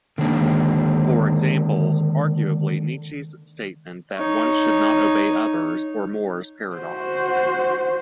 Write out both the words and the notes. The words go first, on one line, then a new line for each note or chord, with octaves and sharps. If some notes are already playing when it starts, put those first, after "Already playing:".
For examples, arguably, Nietzsche's statement that one should not obey others, or Moore's paradox.
D3 D#3 G#3 A#3 D4
D#4 C#5
F#4 C5